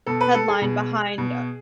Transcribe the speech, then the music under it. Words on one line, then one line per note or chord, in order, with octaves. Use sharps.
headline behind
B2 A4
B4
A4
G#4
B2
B2